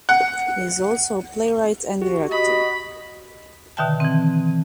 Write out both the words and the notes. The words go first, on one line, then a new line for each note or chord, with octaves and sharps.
He is also a playwright and director.
F#5
F#4 G4
D#5 B5
B2 D3 D#3 E5 G5 A5
E3 C4